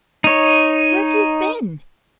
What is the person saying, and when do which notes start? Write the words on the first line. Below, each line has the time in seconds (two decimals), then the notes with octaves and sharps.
"Where've you been?"
0.24 D#4 C#5